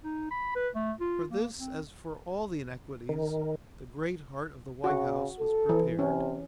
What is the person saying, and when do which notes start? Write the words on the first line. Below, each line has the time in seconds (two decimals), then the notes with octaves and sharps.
For this, as for all the inequities the great heart of the White House was prepared.
0.04 D#4
0.31 B5
0.55 B4
0.75 A3
1.00 F4
1.30 A#3
1.59 C4
3.09 D#3
4.84 C#3 F#4
5.40 A4
5.69 E3
5.99 C3 C#4